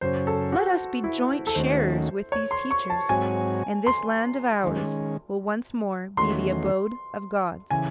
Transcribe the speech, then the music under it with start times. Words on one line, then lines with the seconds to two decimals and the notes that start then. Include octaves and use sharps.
Let us be joint sharers with these teachers, and this land of ours will once more be the abode of gods.
0.01 F#2 C#3 F#3 C#4 C5
0.27 A4
0.52 F#4
1.04 E4
1.47 A4
1.55 D#2 D#3 A3 C#4 F#4 C5
2.32 C#5
2.51 C6
2.71 C#6
2.90 A5
3.09 G#2 F#3 C4 F#4 C#5 G#5
3.87 C6
4.64 D#3 G#3 C#4
6.17 E2 D#3 A3 C#4 F#4 C6
7.71 C#3 E3 G#5